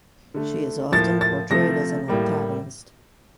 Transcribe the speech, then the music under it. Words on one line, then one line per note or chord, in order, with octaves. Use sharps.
She is often portrayed as an antagonist.
D3 A3
A2 F3 A#3 A6
A6
C3 F3 A3 A#6
A2 G3 A#3